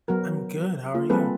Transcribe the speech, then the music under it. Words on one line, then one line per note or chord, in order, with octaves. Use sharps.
I'm good. How are you?
F#3 B3 F#4 A#4
A#3 F4
G3 A#3 C4 G#4 A4 B4